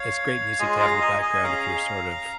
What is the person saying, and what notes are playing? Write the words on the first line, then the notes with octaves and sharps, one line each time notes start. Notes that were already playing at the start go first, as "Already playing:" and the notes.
it's great music to have in the background if you're sort of
Already playing: C#5 F5
G#3 F4 G#4 D#5 G#5
F5 A#5
D#5 G#5
D#5 G#5
C#4 G#4 F5 A#5